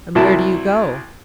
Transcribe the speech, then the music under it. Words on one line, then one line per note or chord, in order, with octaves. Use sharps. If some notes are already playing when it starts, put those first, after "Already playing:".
"And where do you go?"
C2 F#3 E4 A5